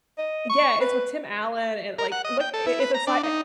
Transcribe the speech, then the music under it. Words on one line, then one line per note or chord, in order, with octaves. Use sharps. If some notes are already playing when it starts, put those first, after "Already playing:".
Yeah, it's with Tim Allen and, like, look, i it's a si
D#5
C#6
B4
A#4
F#5
D#5
G5
A4
E4
B4
A#5
D4
D#4